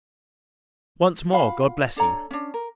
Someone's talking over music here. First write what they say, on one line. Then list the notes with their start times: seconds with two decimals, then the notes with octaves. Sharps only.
Once more, God bless you!
1.32 F4 F#4 F5 B5
1.96 D4 A4 C#5 A#5
2.31 C#4 D4
2.54 A#4